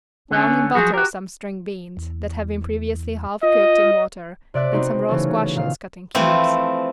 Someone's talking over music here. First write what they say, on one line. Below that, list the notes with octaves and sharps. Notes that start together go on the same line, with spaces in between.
Brown in butter some string beans, that have been previously half cooked in water and some raw squashes cut in cubes.
D3 B3 C#4
F3 F#3 F#4 G#4
F#4 G4 A#4
E2
F4 D#5
C3 D5 E5 F#6
B3 C4 D#4 F#4
C#3 E3 A3 C#4
A#2 D#3 F5
E3 F3 A3 C4